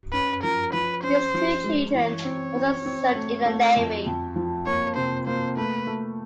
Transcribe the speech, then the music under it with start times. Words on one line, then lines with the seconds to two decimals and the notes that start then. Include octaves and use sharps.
His two children also served in the Navy.
0.12 C#4 B4
0.43 F3 A#4
0.73 F3 B4
1.03 C#4 C5
1.34 F3
1.64 G#3
1.94 E3 C#5
2.25 C4
2.55 C4
2.86 C4
3.15 A3
3.46 A3
3.76 F2
4.06 F2
4.36 F3
4.66 A#3 C#5
4.96 C3 C5
5.27 A#3 C5
5.57 A3 B4
5.87 A3